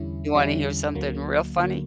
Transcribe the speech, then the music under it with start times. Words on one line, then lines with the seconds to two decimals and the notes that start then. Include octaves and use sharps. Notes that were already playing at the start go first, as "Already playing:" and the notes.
You wanna hear something real funny?
Already playing: E2 D3 G3 C#4 E4
0.34 E2 D3 G3 C#4 E4
0.95 D2 D3 F#3 A#3
1.56 D2 D3 F#3 A#3